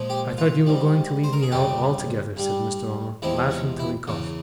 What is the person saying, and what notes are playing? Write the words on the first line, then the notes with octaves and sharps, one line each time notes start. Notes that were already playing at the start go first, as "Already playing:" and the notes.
I thought you were going to leave me out altogether,' said Mr. Omer, laughing till he coughed.
Already playing: A#2 F3 G#3
G4
F4
G#2 G3
C5
A#4
G#4
F2 C#3 G3 G4
G2 G3
E2 C3 F3 G#3 E4
C#4
E4
E2 C#3 E3